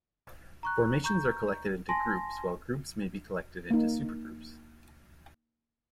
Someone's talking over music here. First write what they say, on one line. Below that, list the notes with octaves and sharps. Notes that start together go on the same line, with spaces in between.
Formations are collected into "groups" while groups may be collected into "supergroups".
A#5 C#6 F#6
A#5 C#6 G6
G#5 A5 C6 A#6
A#3 D#4